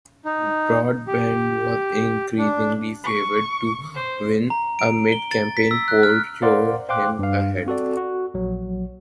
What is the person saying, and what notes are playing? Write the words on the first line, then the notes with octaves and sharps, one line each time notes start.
Broadbent was increasingly favoured to win, a mid-campaign poll showed him ahead.
D#4
G4
D4
C#6
C5
A#5
D7
G7
A6
B6
E6
F#6
F6
A#4 C5 D5 F5 F#5 C6
C5 F5 G5 C6 D6 F#6
G2 F5
C4 F#4 A4 D5
F#4
A#1 F#3